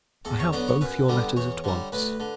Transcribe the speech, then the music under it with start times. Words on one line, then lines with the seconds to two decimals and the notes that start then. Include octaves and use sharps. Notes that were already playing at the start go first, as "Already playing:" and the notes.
I have both your letters at once.
0.25 E2 A4
0.39 C#5
0.53 D3 F#3 B3 D5
0.68 C#5
0.81 F#2 B4
1.09 D3 G3 B3
1.36 E2 C#5
1.64 D3 G3
1.92 D2 B4
2.20 D3